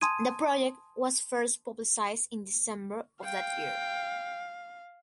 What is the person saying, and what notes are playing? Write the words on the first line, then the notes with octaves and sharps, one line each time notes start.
The project was first publicized in December of that year.
G#5 A5 C6 D#6 G#6 D#7
F5 G5